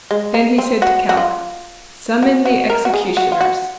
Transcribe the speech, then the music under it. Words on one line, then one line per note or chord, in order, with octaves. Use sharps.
Then he said to Kaliko: "Summon the executioners."
G#3
A#3
C4
F#4
F#4
F4
F#4
F#4
A#4
F#4
G#4
F#4
F4
F#4